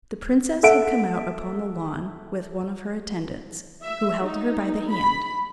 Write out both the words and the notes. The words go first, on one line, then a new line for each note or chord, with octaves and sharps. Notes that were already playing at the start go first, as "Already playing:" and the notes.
The princess had come out upon the lawn with one of her attendants, who held her by the hand.
A4 E5 F#5 D7
E5
D#4
B5